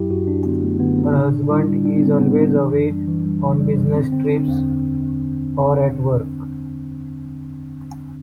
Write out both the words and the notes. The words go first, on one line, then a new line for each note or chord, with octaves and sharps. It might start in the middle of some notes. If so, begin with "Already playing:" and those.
Her husband is always away on business trips or at work.
Already playing: F#2 F#3 E4 G4
F#2 F#4
F#2 D4
D3 B3
F#2 A3
D3 B3
D3 C4
A2 D4
A2
D4
G3 E4
G3
G3 D4
B3
G3 C4
A2 B3
G3 D4
E3
F#2
G3
E3
G3
E3
G3
F#2
D3 C4
D3 C4
D3 D4
E2 C4